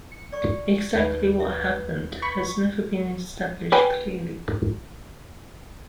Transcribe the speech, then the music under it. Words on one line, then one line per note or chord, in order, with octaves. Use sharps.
Exactly what happened has never been established clearly.
C#7
D5 C#6
D#2 D#4 B4
E5
B5 C#6
B4 G5 G#5